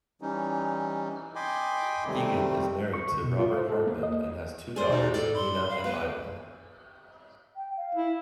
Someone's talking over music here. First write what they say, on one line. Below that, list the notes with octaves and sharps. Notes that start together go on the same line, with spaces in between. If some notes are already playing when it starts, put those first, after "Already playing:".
Egan is married to Robert Hartmann and has two daughters, Nina and Isla.
E3 G3 C#4 D#4
D#5 G5 G#5 B5 C6 D6
C3 D#3 G3 A3 C4
C#6
D2
B2
F4
C5
A4
A#3
D#5
G#4 C5 D5
B2 D#4
A2 A4 D5
B5 C6
F5
B3 B4
G5
F5
E4